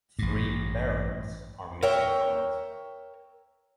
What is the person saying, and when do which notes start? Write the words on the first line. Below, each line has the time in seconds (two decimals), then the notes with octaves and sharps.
Three beryls are missing from it.
0.19 A1 G2
1.83 A#4 C#5 E5 G5